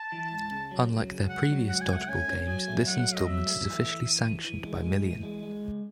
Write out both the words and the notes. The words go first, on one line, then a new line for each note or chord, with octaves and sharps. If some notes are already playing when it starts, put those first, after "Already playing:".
Unlike their previous Dodgeball games, this installment is officially sanctioned by Million.
Already playing: A5
E3
G#2
C#3
F#3
F#3
C#3
C#2 F#5
F#3
C#2 F#5
G#5
A3 F#5
F#5
C#4 G#5
C#4
F#3 G#5
A3
F#3 F#5
F#3
D#5
F#3 E5
A3
E3
E3
E3
E3
E3
G#3
E3
E3
G#3
G#3
C#2